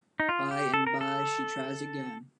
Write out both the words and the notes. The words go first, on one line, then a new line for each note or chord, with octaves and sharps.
By and by she tries again.
D#4
F4
G4
A4
A#4
A4